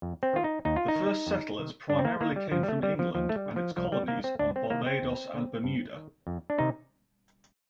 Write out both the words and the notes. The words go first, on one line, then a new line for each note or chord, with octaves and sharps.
The first settlers primarily came from England and its colonies on Barbados and Bermuda.
F2
C4
D#3 F4
D#4
D#2 D#4
F4
D#4
D#3
F2
C3 D#3
G2 D4
C4
A#3
D#3 A#3
G3
G2 F3
G3
A3
D3 G3
F3
D#2 F3
A3
G3
D3
F3
C2 F3
G3
C3 D#3 A#3
C4
D2 D4
C4
C3 D#3 A#3
C4
D#2
D3
G2
D#3
F2
D4
C3 D#3 D#4